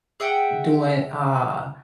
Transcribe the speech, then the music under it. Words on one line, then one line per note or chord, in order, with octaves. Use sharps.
doing, uh
G#4 E5 F#5 G5